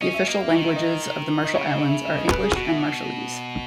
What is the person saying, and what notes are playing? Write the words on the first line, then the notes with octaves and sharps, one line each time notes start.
The official languages of the Marshall Islands are English and Marshallese.
C#4 D#5
E5
A#3 D#5
E5
D#3 D#5
E5
D#5
D#5
C#3 C#5
D#5
E5
E5
D#5
B4
G#4
B2 F#4
E4